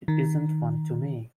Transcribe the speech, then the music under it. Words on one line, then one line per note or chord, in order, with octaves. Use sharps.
It isn’t one to me.
D#3